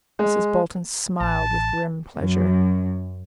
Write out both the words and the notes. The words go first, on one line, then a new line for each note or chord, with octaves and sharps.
Mrs. Bolton smiled with grim pleasure.
G#3
A1 A5
F#2